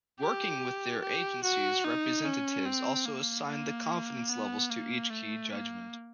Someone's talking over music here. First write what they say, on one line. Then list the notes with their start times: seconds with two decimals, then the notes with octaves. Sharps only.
Working with their agencies, representatives also assign the confidence levels to each key judgment.
0.20 G4
1.02 G4
1.44 F#4
1.84 D#4
2.25 C#4
2.66 C4
3.06 A#3
3.48 A#3
4.30 B3
4.70 A#3
5.10 A3
5.52 A#3